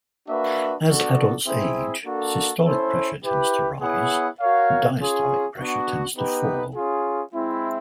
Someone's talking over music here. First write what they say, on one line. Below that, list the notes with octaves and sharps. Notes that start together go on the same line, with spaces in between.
As adults age, systolic pressure tends to rise and diastolic pressure tends to fall.
A#3 D4 F#4 B4 E5
B3 D4 F#4 A4 D5
C4 E4 G#4 C5 E5
A#3 D4 F#4 A4
C#4 E4 A4 C5
E4 G4 B4
B3 E4 G#4 C#5 F#5
F#4 A#4 C#5 F5
C#4 F4 G#4
B3 D4 F#4
B3 D#4 G4 B4
C#4 F4 G#4
G#3 C4 E4